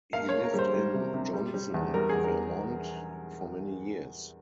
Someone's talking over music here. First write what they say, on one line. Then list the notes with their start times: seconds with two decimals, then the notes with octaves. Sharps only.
He lived in Johnson, Vermont for many years.
0.13 A#3 F5
0.29 A#3 C#5
0.43 A#4
0.54 G3 C5
0.74 G3
0.94 C3
1.14 C3
1.34 G3
1.54 G3
1.74 E2
1.94 G3 A#4
2.09 E2 G#4
2.24 A#4